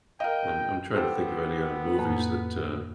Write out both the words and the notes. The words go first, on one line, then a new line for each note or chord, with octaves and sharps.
I'm I'm tryna think of any other movies that, uh,
A#4 D#5 F5 G5
B3 G4 A4 C5
F2 A2 A#3